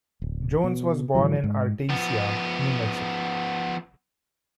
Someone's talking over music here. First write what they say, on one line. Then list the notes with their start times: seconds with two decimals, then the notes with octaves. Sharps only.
Jones was born in Artesia, New Mexico.
0.22 D1
0.64 B2
1.15 G#2 D#3 E3 F#3
1.44 G#2
1.89 F3 B3